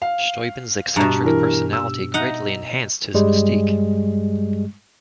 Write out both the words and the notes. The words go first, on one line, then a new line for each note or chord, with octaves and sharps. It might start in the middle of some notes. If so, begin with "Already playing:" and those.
Steuben's eccentric personality greatly enhanced his mystique.
F5
G2 B2 A#5
E3 A#4
E6
D#4 F#5
G2 G3 G#3